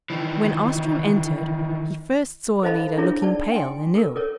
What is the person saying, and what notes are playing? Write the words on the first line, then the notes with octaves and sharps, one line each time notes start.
When Ostrom entered he first saw Alida looking pale and ill.
D#3 E3
A4 C5 D#5 F5 A5 B5
D4 E4 F4 G#4 A#4 C#5
D#4 D5 A5
G5 G#5 C6
A4 A#4
A4 A#4 C#5